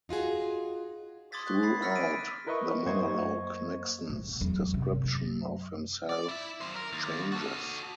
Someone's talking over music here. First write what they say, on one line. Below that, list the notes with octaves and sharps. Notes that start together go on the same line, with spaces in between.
Throughout the monologue, Nixon's description of himself changes.
D#4 F4 F#4 G#4
C6 D6 D#6 G#6 A6 B6
C#6 F#6
B5 A6 C7
E6 F6 A#6 B6 C#7
D6 B6 D7 D#7
E4 A#4 B4 D#5 E5 C#6
F#2 A#3 C5 D#5 C#6 G#6
A#1
E2 F#3
G1 C3
F#2
D5
E4 E5
F#2 C5
A#4
D#2
F#4 A4